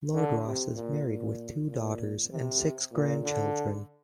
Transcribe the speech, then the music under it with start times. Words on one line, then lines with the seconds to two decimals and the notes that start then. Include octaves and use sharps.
Lord Ross is married with two daughters and six grandchildren.
0.14 D3
0.45 C3
0.75 A#2
1.07 A#2
1.69 A#2
2.31 C3
2.93 A#2
3.24 D3